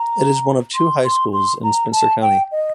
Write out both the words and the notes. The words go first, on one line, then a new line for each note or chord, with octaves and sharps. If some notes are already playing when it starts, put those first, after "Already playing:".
It is one of two high schools in Spencer County.
Already playing: A#5
C6
C6
C6
A#5
A5
G5
D#5